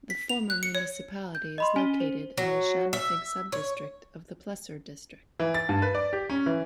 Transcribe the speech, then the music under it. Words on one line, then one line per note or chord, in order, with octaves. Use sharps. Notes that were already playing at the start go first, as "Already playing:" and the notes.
The former municipality is located in the Schanfigg sub-district of the Plessur district.
B6
F7
F#6
C#7
C#5
G6
D#5 B5 C6
C#4 G#5 D#7 G7
C5
F#3
E5
C#5
E3
A6
G2
B4
D5
G4
C#4
E3